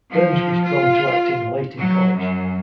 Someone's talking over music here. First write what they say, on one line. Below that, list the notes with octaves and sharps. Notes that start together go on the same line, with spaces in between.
Burns was drawn to acting late in college.
F3
F4
F#3
F#2